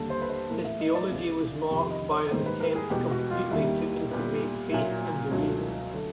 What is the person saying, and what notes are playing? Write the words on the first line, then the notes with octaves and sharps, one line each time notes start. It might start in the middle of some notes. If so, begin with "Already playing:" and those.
His theology was marked by an attempt completely to integrate faith and reason.
Already playing: D#2 D3 G3 A4
C5
B4
C5
A2 E3 A3 A#4
E5
D#5
D5
C#2 C3 E3 G#3
F2 C3 D#3
D#5
C#5
G#2 D#3 G3 A#3 C5
B4
A#4
G#4
E2 B2 G#3 B3 G4
F#4
F4
D#2 D#3 G3 E4
A#2 G3 B3
A#2 F#3 A#3 E4
C#2 B2 F#3 A3
D3 F#3 A3